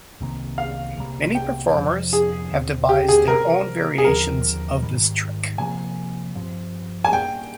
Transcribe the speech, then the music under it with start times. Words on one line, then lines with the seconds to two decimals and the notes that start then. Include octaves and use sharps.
Many performers have devised their own variations of this trick.
0.20 C2 C3 D#3 A#3
0.58 F5
0.97 C2 C3 G3 A#3
1.35 G5
1.73 F2 C3 F3 C4
2.13 G#4
2.51 D#2 D3 F3 C4
2.89 G4
3.09 G#4
3.28 C3 G3 C4 A#4
3.98 G#4
4.04 D#2 D3 F3 C4 A#4
4.82 G#2 D#3 G3
5.58 C3 F3 A#3 G#5
6.35 G2 F3 C4
7.04 G#5
7.12 A#2 G3 A#3 D4 G5